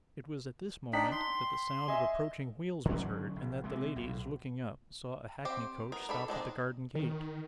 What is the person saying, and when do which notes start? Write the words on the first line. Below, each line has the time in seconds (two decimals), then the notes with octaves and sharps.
It was at this moment, that the sound of approaching wheels was heard, and that the ladies, looking up, saw a hackney-coach stop at the garden gate.
0.93 D4 D#4 G5 B6 F#7
1.12 C6
1.88 D#5 E5 G#5
2.85 D3 D#3 F#3 C#4
3.36 A#1
3.64 C3 G#3
3.96 B1
5.45 C4 G4 C5
5.92 B3 A#4
6.09 D4 A4 B5
6.28 G#3 C4 D4 D#4
6.95 D#3